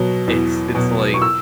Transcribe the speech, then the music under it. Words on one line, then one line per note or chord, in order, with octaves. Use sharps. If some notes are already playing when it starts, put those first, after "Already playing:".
it's it's, like,
Already playing: B2 F#3
E2
B2 F#3
C#6
E6